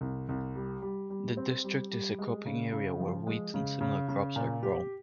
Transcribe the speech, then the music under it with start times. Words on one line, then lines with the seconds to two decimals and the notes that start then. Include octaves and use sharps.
The district is a cropping area where wheat and similar crops are grown.
0.01 C2
0.29 C2
0.55 G3
0.82 G3
1.10 G3
1.37 C4
1.64 G3
1.91 G3
2.18 G#3
2.45 C#3
2.72 C#3
3.00 F3
3.27 G#3
3.54 C#3
3.81 C#3
4.08 C#3
4.36 A#2
4.63 G4